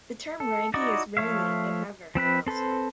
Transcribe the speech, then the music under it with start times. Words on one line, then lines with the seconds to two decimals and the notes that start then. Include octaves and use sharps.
The term "raggie" is rarely, if ever, heard elsewhere.
0.40 A4
0.74 D#4 E4 F#4 D5 D#5
1.17 F3 A3 C#5 E5 F5
2.15 F3 C4 B4 B5
2.47 C4 A4 B4 C5